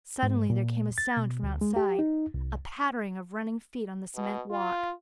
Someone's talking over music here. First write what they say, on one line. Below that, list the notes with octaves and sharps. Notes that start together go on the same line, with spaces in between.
Suddenly there came a sound from outside--a pattering of running feet on the cement walk.
G#2
A#2
A6
B2
D2
G#3
G4
D#4
C2
B2
F4